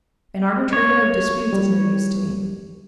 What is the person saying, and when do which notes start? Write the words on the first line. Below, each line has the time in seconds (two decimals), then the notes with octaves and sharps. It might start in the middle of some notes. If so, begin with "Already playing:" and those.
An arbitrator of disputes is no use to me.
0.73 C#5
1.53 G3